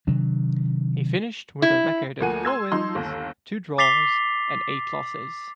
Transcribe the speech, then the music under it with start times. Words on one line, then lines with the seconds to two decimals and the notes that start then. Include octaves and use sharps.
He finished with a record of four wins, two draws, and eight losses.
0.07 C3 D#3 F#3 D4
1.62 E4
2.20 D2 F3 A#3 F#5 G#5 D#7
2.45 C6 E6 G#6
2.72 F3 D#4 C6
2.95 G1 D#2
3.78 D6 A6 B6 C7 F7 G7